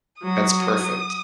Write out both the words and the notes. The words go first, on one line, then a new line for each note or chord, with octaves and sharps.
That's perfect.
F#3 D#6